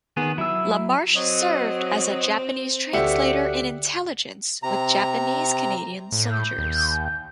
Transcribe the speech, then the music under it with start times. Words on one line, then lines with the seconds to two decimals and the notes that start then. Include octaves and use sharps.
LaMarsh served as a Japanese translator in Intelligence with Japanese-Canadian soldiers.
0.17 D#3 B3 G#4
0.38 F#3 E4 E6
1.15 F#3 C4 D#5
2.94 D2 G4 E5 F#5 C#7
4.63 C3 A#5
6.12 A2
6.31 G6
6.58 D#2